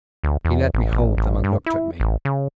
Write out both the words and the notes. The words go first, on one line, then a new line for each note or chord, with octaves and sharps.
He let me hold them and looked at me.
D2
E2
A1
A1
A1
G2
E4
A1
C#3